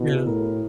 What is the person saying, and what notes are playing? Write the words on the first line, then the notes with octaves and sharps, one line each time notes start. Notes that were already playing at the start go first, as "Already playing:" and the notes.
You know?
Already playing: B2 E4 F#4
G#4
A2 A#4